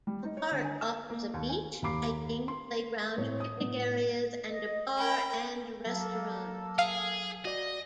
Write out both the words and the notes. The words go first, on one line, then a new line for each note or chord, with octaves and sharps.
The park offers a beach, hiking, playground, picnic areas and a bar and restaurant.
G3
D#4
C#5
D3
G#5
E6
A#3
D#2
G#5
D#2 F5 A#5 B5 D6 C7
C6
A2 C4 C#5
D#6
A2 B3
D#5
A#4 G5 B5
F#3 A#3 A4
G#4 F5
F#4 D5 D#5